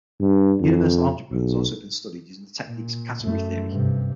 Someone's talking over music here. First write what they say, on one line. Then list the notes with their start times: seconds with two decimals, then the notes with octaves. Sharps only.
Universal algebra has also been studied using the techniques of category theory.
0.21 G2
0.61 F2
1.31 B1
2.67 A#2
3.24 F#2 A3
3.69 G2 C3